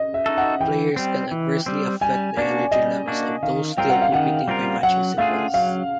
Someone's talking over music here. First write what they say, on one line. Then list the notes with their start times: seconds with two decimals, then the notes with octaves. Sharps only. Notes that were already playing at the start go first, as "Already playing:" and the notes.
Players can adversely affect the energy levels of those still competing by matching symbols.
Already playing: D#5
0.14 E5
0.26 D#4 F#4 A4
0.38 F#5
0.61 E3 G5
0.96 G3 C4
1.31 E3
1.66 G3 C4
2.01 G3 G#5
2.37 A#3 D4 F#4 D5
2.71 G3 D#5
3.08 A#3 D4 F#4
3.43 D#3 F5
3.77 G3 C4 F4 A#4 G5
3.90 F#5
4.02 F5
4.12 D#3 F#5
4.48 G3 C4 F4 A#4
4.83 F#3 F#5
5.18 A3 D4 F4 G#4 F5
5.54 F#3 F5